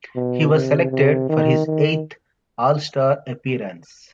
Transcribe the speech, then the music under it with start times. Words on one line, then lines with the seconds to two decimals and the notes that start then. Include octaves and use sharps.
He was selected for his eighth All-Star appearance.
0.16 B2
0.53 C3
0.91 C3
1.29 D#3
1.66 D#3